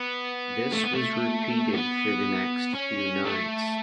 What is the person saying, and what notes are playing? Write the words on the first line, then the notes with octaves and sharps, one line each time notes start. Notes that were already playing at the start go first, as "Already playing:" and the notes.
This was repeated for the next few nights.
Already playing: B3
A3
B3
A3
B3
C#4
A3